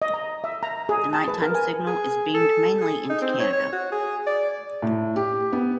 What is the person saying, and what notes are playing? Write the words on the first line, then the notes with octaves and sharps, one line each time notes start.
The nighttime signal is beamed mainly into Canada.
D#5
A#5
E5
A#5
G#4
A5
B4
A#4
G#5
G#4
A4
G#4
D#4
C4
C#5
C#5
F#4
G#4
D5
A2
G4
B3